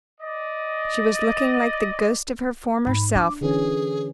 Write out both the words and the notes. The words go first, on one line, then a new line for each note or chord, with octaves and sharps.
She was looking like the ghost of her former self.
D5 D#5
G#2 B5
D4 D6
D3 E3 C#4 G#4